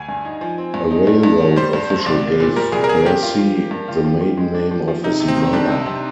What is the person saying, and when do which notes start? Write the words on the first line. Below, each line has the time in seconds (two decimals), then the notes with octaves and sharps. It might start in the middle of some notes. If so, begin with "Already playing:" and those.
A railroad official gave Kersey the maiden name of his mother.
Already playing: D2 G#5
0.09 G2
0.25 D#4
0.41 F3
0.58 C4
0.74 G2
0.91 D#4
1.07 G2
1.23 G2
1.40 D#3
1.56 G3 C5
1.73 G2
1.90 G2
2.06 C2 D5
2.23 A#3
2.40 A#2
2.56 G3 A#4
2.72 C2 G#4
2.84 A#4
2.89 A#3 G#4
3.05 G2 G4
3.23 F4
3.38 F3
3.55 A#3
3.71 G2
3.88 F4
4.04 F3
4.21 F3
4.37 G#3
4.55 D4
4.71 F3
4.88 F3
5.04 C3 D#4
5.20 C3
5.28 C4
5.36 D#3
5.53 G3 D4
5.70 C3
5.86 C3